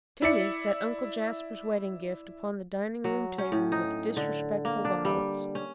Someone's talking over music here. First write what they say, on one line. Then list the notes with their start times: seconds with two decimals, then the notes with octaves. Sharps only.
Toomey set Uncle Jasper's wedding gift upon the dining room table with disrespectful violence.
0.22 E4 D5 C#7
3.04 F#3
3.38 C#4
3.52 A2
3.72 D#4
4.17 D3
4.65 A#3
4.85 D4
5.05 G3
5.55 C#4